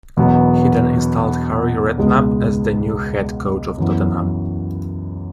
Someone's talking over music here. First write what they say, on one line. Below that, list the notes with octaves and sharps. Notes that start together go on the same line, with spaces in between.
He then installed Harry Redknapp as the new Head Coach of Tottenham.
E1 E2 B2 F#3 B3
C#2 B2 G#3
F#2 E3 B3